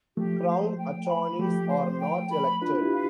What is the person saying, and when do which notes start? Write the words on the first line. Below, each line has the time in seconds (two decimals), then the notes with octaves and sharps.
Crown Attorneys are not elected.
0.17 F3 A3 G4
0.48 C5
0.79 G5
1.09 B5
1.39 F3 A3 G4
1.70 C5
2.00 G5
2.30 B5
2.61 D4 F4 B4
2.82 E4 G4
2.92 F5